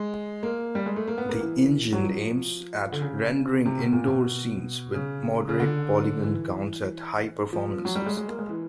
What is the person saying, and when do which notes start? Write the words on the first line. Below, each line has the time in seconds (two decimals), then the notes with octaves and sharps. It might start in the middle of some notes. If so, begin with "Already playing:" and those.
The engine aims at rendering indoor scenes with moderate polygon counts at high performances.
Already playing: G#3
0.43 A#3
0.75 G3
0.86 G#3
0.96 A3
1.07 A#3
1.18 B3
1.29 A#3
1.40 E3
1.93 F#3
2.04 F3
2.92 D3
3.01 C#3
3.66 C3
3.79 B2
3.93 A#2
4.07 B2
4.94 C#3
5.49 C#3
5.60 D3
6.23 E3
7.53 F3
7.85 F#3
7.95 G3
8.06 G#3
8.17 G#3
8.28 A#3
8.39 G#3
8.49 E3